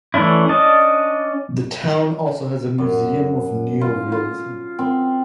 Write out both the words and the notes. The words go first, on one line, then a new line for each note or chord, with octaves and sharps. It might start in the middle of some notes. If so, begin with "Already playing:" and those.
The town also has a Museum of Neo-Realism.
E3 A3 C#4 D4 E4
C#4 D4 D#5 A5
F#2
F4
F4
C4